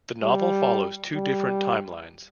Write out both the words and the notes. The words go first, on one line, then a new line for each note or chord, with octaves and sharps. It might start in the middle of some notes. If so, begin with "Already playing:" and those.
The novel follows two different timelines.
G3
G3